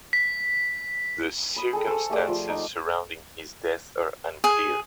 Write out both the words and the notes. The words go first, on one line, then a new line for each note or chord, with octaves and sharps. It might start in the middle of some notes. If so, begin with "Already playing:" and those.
The circumstances surrounding his death are unclear.
B6
B5 D#6
G#4 A4 G5
A4 C5 G#5 C#6
A3 G4 G#4 D5
F3 C6
D#4 F#5
G#4